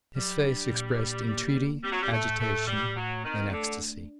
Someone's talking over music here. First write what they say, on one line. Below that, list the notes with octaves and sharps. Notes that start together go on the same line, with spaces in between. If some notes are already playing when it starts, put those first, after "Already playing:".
His face expressed entreaty, agitation, and ecstasy.
F#3 G3
D4
A#2
A#3
A#3
D4
G3 C4
F#3
G3
A2 A3
A2 A3
A2 G3
A2 F#3
D#3 C4
D3 A3
D4